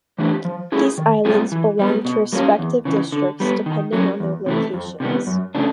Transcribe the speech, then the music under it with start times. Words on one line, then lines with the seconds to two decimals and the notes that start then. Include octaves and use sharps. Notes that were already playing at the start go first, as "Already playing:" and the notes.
These islands belong to respective districts depending on their locations.
0.18 E3 A3 D4 G4
0.45 F3
0.72 A3 C#4 E4 G#4
0.98 D#3
1.25 G3 C4 F4 G#4
1.52 E3
1.79 G3 B3
2.05 B2
2.33 G3 A#3 C#4 F4
2.59 E2
2.85 C#3 E3
3.12 D3
3.40 G3 B3
3.66 D#3
3.93 F#3 A#3 C#4
4.20 E2
4.46 C3 E3 A3
4.74 F2
5.00 C3 D#3 G3 B3
5.27 F#2
5.55 C#3 F3 A3 D4